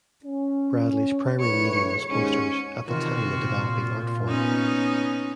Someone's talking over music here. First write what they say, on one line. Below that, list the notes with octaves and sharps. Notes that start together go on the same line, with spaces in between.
Bradley's primary medium was posters, at the time a developing art form.
C#4
A#1 A2 B4 C#5
D#2 G#2 C#4
C3 D#3 F4 F#4
A#2
B3 C#4 D#4